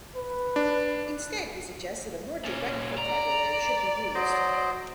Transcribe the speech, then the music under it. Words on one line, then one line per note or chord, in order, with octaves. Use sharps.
Instead he suggests that a more direct vocabulary should be used.
B4
D4
A#2 C#4
D5 A#5
F#3 C5 D#5